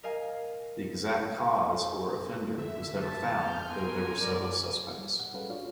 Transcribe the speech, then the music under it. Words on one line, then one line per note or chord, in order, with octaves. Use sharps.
The exact cause, or offender, was never found, though there were several suspects.
A#4 D#5 F5 G#5
D3 E5
A5
F6 G6
B3 A#4 G#5 C6
F#2 D5
G3
A2 F#5
G3 C#4 G#4 A4 B4 F5
D4 F4 F#4 C#5 D5 F5